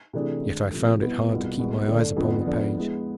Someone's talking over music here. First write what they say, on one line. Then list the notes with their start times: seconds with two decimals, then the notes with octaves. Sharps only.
Yet I found it hard to keep my eyes upon the page.
0.13 C3 E3 A3 D4 G#4
0.42 D3 G#3 D4
0.71 C3 F3 A3
1.01 C2 B2 B3 E4 B4
1.30 C2 B2 B3 F4 G#4
1.59 C2 B2 G#3 B3
1.88 D3 A3 D4 A4 D5
2.17 F2 D3 F3 B3
2.46 F3 B3 D4 A4
2.76 G#3 B3 E4